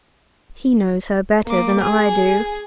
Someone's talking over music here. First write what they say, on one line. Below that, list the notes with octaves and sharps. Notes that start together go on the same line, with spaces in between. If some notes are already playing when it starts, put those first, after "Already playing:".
"He knows her better than I do."
A#3 D6
G#4